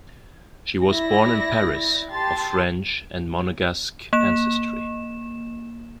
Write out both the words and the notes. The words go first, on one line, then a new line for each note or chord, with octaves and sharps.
She was born in Paris of French and Monegasque ancestry.
E4 D5 A#6
G4 A5 C6 A6
A#3 E7